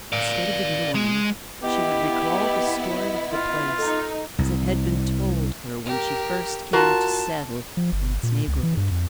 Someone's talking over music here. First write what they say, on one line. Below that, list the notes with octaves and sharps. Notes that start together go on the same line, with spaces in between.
Instead of ignoring, she would recall the story of the place as it had been told her when she first came to settle in its neighbourhood.
D5 F5
G#3
B3 E4 G4 D#5
F4
D#4 A4
C2
G4 A#4
F4 F#4 A#4 A5
F3
G1
A#2
C#2
E3
G2
F2